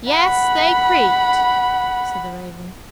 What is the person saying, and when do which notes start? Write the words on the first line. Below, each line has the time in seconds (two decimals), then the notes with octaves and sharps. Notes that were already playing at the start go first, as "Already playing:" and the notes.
"Yes, they creaked," said the Raven.
0.12 F#5 B5